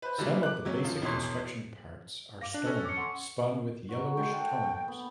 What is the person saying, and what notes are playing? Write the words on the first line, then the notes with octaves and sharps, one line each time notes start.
Some of the basic construction parts are stone spun with yellowish tones.
B4 C5
D3 E3 F3 G3 A#3
D6 F#6
C3 F#3 C#4
F#2 F3
E1 B2 E3 C#4 C6
F5 D6 A#6
D4 F#6
C#4 A4
D6 C#7
F#5 C6 C#6
F#4 C#5 A#5
G#3 G5
A4 F#5 G5
D5 C#6
B3